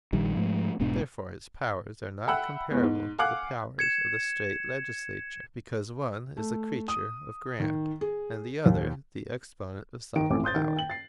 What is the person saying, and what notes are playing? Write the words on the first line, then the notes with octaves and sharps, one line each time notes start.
Therefore its powers are not comparable to the powers of the State Legislature, because one is the creature of grant, and the other the exponent of sovereign power.
A#1 D#3 G3
G#2 F3 A3
E1 G#2 B2 D4
E5 F#5 G5 B5 E6 F#6
E2 G#3 B3
G#2
F5 F#5 G#5 D6 F6 F#6
G#6 C#7 E7
A3
D#6
D#3
G#4
D#2
D#3 D7
A1 F2 A2 G#5 D6
C6 D#6 G6 A6
D#3
G5 F#7
A6 C7